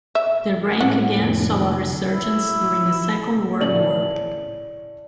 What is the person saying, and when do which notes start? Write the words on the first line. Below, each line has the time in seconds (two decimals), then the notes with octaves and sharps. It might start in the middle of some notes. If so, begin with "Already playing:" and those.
The rank again saw a resurgence during the Second World War.
0.15 E5
0.81 A2 F#5
1.19 F1 D3
2.12 E4
3.61 A2 C#3 D5 F#7